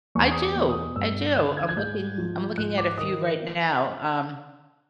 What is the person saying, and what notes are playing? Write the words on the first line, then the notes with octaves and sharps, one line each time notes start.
I do, I do, I'm looking I'm looking at a few right now, um
E2 C#6
D#6
D6
B2
D#6
G2 E6
D3 F#6
G#6
G#6
G#2 G6
F3
G#2 F#6
D6
D#3 D#6